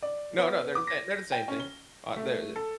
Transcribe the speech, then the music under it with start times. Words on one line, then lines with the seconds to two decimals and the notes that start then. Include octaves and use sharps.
No, no, they're the same they're the same thing. Uh, they they're
0.03 D5
0.38 B3
0.75 D6
0.87 A#6
1.32 G5
1.48 C#4
1.60 G7
2.16 A3
2.56 A4